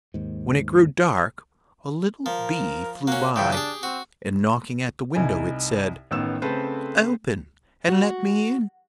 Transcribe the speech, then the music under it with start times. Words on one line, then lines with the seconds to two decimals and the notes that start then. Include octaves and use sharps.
When it grew dark, a little bee flew by, and knocking at the window, it said, 'Open, and let me in.'
0.14 D#2 G#2
2.26 F3 A#4
3.07 A#3 C#4 F#4
3.36 E2 A#2 C#3 G5
3.52 D4 G4 G#4
3.83 C4 F#4
5.15 C2 D#4 E4 G#5
6.11 A1 D#3 B3 E6 E7
6.42 C#3 A3 C4 A4 B4 C5
7.89 F#4